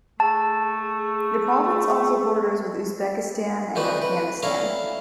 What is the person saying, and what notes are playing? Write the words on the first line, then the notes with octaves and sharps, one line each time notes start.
The province also borders with Uzbekistan and Afghanistan.
A3 G#4 A5
D3 E3 C4 D#4 F#4 B4
B4
C#4 E4 A4 D5 F5 A#5